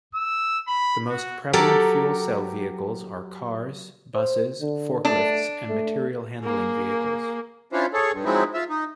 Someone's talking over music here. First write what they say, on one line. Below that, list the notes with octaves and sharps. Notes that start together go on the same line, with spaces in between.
The most prevalent fuel cell vehicles are cars, buses, forklifts and material handling vehicles.
E6
B5
F#4
F#3 G4 A4 A#4 D5
C5
D3
A3 D4
A3
A#3 G#4
C#4 D4 E4 F4 C5
G#4 A4 C#5
G2
F3 F#3 G#3 C4 D#4 E4
F4 E5
D#4